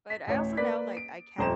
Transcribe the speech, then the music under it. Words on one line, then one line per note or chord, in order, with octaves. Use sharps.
but I also know, like, I can't
B6
A1 D2 C#5
A#3 B4 D5 B6
D7
D#1 F2 C5 A#5 E7